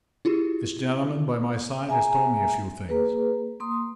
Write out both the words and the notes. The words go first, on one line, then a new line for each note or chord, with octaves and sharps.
This gentleman by my side has told me a few things.
E4 F4 G4 G#4
G#4 E5 G#5 A#5
A#3 G#4 B4
A#3 C6 D#6